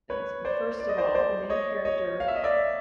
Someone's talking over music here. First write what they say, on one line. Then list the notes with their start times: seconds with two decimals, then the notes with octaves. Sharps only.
And first of all, the main character,
0.10 B4 C#5
0.45 C5 D5
0.80 D5
0.89 D#5
0.98 C5 D5
1.15 C5 D5
1.50 C#5 D#5
1.85 C#5 D#5
2.20 F5
2.28 E5
2.36 D#5
2.44 D5 E5